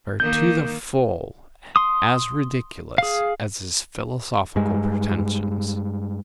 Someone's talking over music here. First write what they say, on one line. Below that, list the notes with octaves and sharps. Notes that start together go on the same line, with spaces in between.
They were to the full as ridiculous as his philosophical pretensions.
D#3 A#3 G6
C6 D#6
G#4 F5
G2 G#3